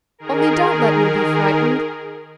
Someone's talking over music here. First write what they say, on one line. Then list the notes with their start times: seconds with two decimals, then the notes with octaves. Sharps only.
"Only don't let me be frightened."
0.18 D#3 G#4 A#4